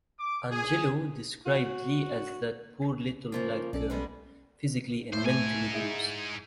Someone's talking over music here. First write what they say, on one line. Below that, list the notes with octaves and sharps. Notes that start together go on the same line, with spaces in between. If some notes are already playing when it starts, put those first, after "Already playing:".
Angelou described Lee as that poor little Black girl, physically and mentally bruised.
D6
G#4
F#4
C#3 F3 A#3
B1 C#4 A4 D5
G3 G#3 B3
A2 A3 C5
G#2 G#5
E4 G#4